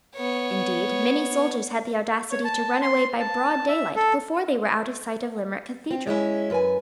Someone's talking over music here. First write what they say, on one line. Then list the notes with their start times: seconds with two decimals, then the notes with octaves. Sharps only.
Indeed, many soldiers had the audacity to run away by broad daylight before they were out of sight of Limerick Cathedral.
0.15 B3 C#5
2.32 C#5
2.44 A5
2.82 C6
3.20 A5
3.68 E5
3.96 A4
5.91 C4
6.07 G#3 C#4 E4
6.50 F#2 B4 G#5